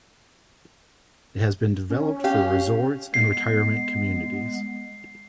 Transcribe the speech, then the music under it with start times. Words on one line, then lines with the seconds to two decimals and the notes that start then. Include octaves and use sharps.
It has been developed for resorts and retirement communities.
1.90 C#4
2.24 G4 F5
3.14 G#3 B3 C7